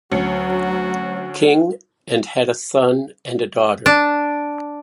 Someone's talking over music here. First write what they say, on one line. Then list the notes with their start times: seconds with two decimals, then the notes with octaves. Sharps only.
King and had a son and a daughter.
0.12 D2 F#3 C#4 F#4 C#7
3.86 D4